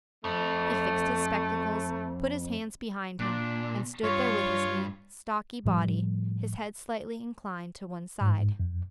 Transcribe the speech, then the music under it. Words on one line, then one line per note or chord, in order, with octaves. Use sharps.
He fixed his spectacles, put his hands behind him, and stood there with his neat, stocky body, his head slightly inclined to one side.
F2 A3
A#2 D4
G2 F4 C#5
A2 F3 G3
G#2
F2